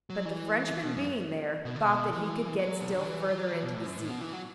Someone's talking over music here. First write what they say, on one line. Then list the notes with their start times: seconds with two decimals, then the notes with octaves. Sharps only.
But the Frenchman being there, thought that he could get still further into the seat.
0.10 F#3
0.25 E3
0.72 E3
0.83 B2
0.95 F#2
1.65 B2
1.76 D3
1.86 B2
2.11 E3
2.59 F#3
2.80 B2
2.92 D3
3.05 E3
3.28 F#3
3.51 E3
3.63 B2
3.74 A2
3.86 F#2
3.98 A2
4.09 B2
4.21 E3
4.33 F#3